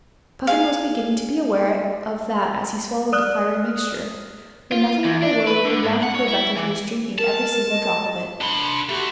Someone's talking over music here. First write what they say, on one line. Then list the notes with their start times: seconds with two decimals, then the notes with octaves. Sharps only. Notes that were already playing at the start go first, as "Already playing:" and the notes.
Puffin was beginning to be aware of that as he swallowed the fiery mixture, but nothing in the world would now have prevented his drinking every single drop of it.
0.47 G#4 F5
3.13 D5 D#6 F6 F#6
4.72 F4
5.04 E2
5.22 D4
5.47 B4
5.65 D3
5.83 G#2
6.03 F#5
6.15 C#5
6.28 E4
6.57 E3
7.18 A#4 A5
7.69 D#5
8.41 D4 B5 C6
8.89 A3 F#4 G4